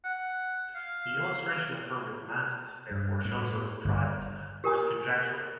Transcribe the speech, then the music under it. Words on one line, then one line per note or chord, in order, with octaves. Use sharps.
The illustration of her with masts therefore shows her on trials, or is conjectural.
F#5
F5
G2
A2
G1
G4 A#4 G#5 D#6